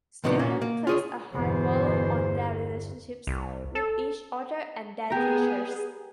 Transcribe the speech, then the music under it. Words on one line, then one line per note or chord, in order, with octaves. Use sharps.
Students place a high value on their relationships with each other and their teachers.
A2 C3 D#3 F3 B3 D4
A#2 A#3 C#4
A#3
F4 G#4 C#5
G1 E2 B2 E3 C5
C2
A4
B3 G4 G#4 A#4